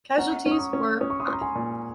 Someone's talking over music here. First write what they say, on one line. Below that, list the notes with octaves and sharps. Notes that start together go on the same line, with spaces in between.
Casualties were high.
C#4 F#5 A#5
C#4
D#6
A#5 C#6
C#4
C#4 D#6
C#6
C6 D#6
C#4
A#5
G#5 C6
A#2